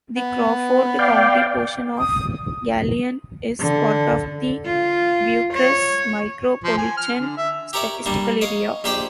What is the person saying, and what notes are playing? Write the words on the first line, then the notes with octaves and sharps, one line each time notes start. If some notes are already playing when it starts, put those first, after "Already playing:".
The Crawford County portion of Galion is part of the Bucyrus Micropolitan Statistical Area.
B3
D5 F5 G5
D#6
D3
F4
C#5
F3
G#5
F6
D3
E5
G4 A#4 C#5 D5 E5
G3 A#3 D4
C#5 D#5 F5
A#1 A#2 G4 C5 D5 G5